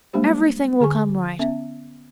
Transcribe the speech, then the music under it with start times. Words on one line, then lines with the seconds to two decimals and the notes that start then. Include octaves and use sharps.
Everything will come right.
0.13 G3 G#3 A#3 D4 G4 C5
0.80 D3 G#4 G#5 C#6
1.39 B3 C#4 E5